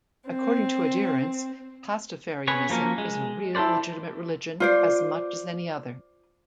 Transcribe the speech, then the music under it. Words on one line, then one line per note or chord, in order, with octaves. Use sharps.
According to adherents, Pastafarianism is a "real, legitimate religion, as much as any other".
C4
C#4 G#4 B4 C#5
F3 F#3 A#3 C#4
G#3
E4 A4 B4 C5 D5
F4 C5 D5